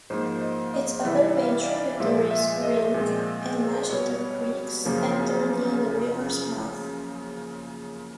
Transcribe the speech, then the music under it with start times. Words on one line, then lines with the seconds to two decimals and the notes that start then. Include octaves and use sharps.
Its other main tributaries, Ring and Mashiter Creeks, enter near the river's mouth.
0.10 G#2 F3 A#3 C5
0.41 D#5
0.74 D#5
1.04 C3 E3 G3 E5
1.37 F5
1.63 D5
1.68 D#5
2.00 A#2 F3 G#3 E5
2.31 E5
2.63 D#5
2.94 A#2 F3 G#3 C4
3.89 B2 G3 B3 C#5
4.84 F#2 C#3 F3 A#3